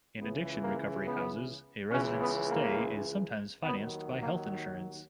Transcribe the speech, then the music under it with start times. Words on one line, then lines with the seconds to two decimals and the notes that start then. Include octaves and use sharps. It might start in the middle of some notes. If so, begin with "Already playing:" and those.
In addiction-recovery houses, a resident's stay is sometimes financed by health insurance.
0.18 C#2 C#3 E3 B3
0.62 A#3
1.05 B3
1.91 C#2 C#3 E3 C#4
2.20 B3
2.49 A#3
3.64 D#2 D#3 F#3 B3
4.21 A#3